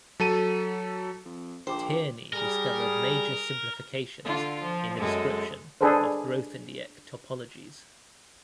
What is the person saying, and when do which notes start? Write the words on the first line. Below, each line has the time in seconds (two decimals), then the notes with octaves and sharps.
Tierney discovered major simplifications in the description of Grothendieck "topologies".
0.20 F#3 A4 D#7
1.25 F2
1.67 A#1 C5 G5 D6
2.33 G3 G#4 A#4
4.24 D3 F4
4.64 F3
4.98 F#2 G#3 A4
5.81 D4 G#4 A4 B4 C5